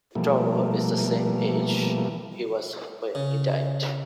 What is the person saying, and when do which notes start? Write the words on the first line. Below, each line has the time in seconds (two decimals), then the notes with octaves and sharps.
Toro is the same age he was when he died.
0.15 B2 E3 F3 G3 A3 A#3
3.15 C#3